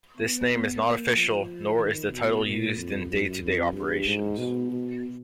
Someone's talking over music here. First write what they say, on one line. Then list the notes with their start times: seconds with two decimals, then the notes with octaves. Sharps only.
This name is not official, nor is the title used in day-to-day operations.
0.17 B3
0.81 A#3
1.15 F3
1.80 D#3
2.12 B2
2.44 A#2
2.76 F2
3.09 F#2
3.41 F2
3.73 G2
4.06 G#2
4.38 B2
4.70 B2